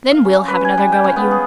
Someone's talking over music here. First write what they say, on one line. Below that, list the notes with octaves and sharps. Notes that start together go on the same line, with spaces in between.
Then we'll have another go at you.
F5
C#4
B4
G#5
G3
G5
C#4
B3
G#4